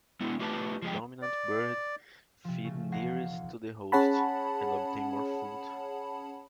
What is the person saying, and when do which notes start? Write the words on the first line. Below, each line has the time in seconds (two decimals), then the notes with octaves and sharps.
Dominant birds feed nearest to the host, and obtain more food.
0.20 G#3 B3 E4
0.39 A3 F4 G4 B4 A5
0.82 F3 G#3 G4
1.22 D5
2.44 C3 F3
2.64 C#3 A3
2.92 E1 C#5 F5 F#5 A#6 C7
3.92 C#4 G#4 C#5 F#5 A5 B5